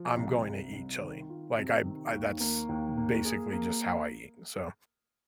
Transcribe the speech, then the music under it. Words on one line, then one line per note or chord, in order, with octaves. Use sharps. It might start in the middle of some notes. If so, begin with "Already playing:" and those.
I'm going to eat chili. Like, I'm I that's basically just how I eat, so,
Already playing: F3
C2
C2
C2
D#3
F4
C3
D#3
D#2
A#3
D#2
A#3
G#4
A#3